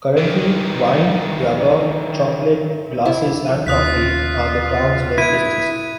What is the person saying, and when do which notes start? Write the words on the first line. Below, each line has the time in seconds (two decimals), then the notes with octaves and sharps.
Currently, wine, rubber, chocolate, glasses and coffee are the town's main businesses.
0.17 D#3 E3
3.05 E4
3.67 D#2 C#3 F4 D#6 F#6 B6
5.18 E4 G#6 D#7